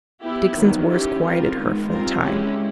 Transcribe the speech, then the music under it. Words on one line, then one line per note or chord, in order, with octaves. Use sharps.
Dixon's words quieted her for the time.
B3 E4 G4
D#3 F#3 B3
C#4 E4 G4
G3 C4 F4 A#4
D#3 G#3 B3
G3 C4 F4 A#4
G#3 C#4 E4 G4